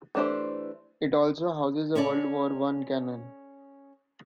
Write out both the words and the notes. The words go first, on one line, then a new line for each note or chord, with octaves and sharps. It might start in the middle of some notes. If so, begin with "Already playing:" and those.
It also houses a World War One cannon.
E3 A3 D4 G4 C5
C#4 A4 C#5 D5